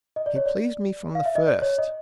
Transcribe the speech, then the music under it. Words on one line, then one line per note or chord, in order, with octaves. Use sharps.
He pleased me from the first.
D#5
D5
C#5
D5
F5
E5
D#5
D5
C#5
D#5